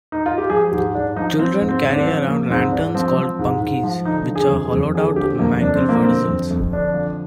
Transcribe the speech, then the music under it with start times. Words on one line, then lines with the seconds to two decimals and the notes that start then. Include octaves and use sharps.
Children carry around lanterns called "Punkies", which are hollowed-out mangelwurzels.
0.12 D#4
0.26 F4
0.38 G4
0.50 F3 G#4
0.72 G#2 G4
0.94 G#2 D4
1.16 F3 D#4
1.38 F3 C4
1.61 G#2
1.69 C4
1.83 G#2
1.93 D4
1.98 C4
2.06 F3
2.28 F3 A#3
2.50 G#2 C4
2.72 G#2 D4
2.94 F3 C4
3.17 F3
3.39 G#2
3.61 G#2
3.83 F3
4.05 D3 D#4
4.29 F3
4.36 G#4
4.50 F2
4.65 G#4
4.73 F2
4.94 D3 G#4
5.16 F3 G4
5.39 F2 A#3
5.61 F2 D4
5.75 C4
5.84 D3 A#3
6.02 F3 C4
6.28 F2
6.50 F2
6.73 D3 D4
6.94 F3